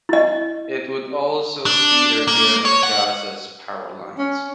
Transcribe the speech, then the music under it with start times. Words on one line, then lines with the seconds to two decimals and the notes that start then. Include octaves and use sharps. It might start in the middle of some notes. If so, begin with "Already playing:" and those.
It would also see the repair of Gaza’s power lines.
0.09 E4 D#5
1.66 D4
2.27 A#3
2.65 C#5
2.83 F#5
4.19 C#4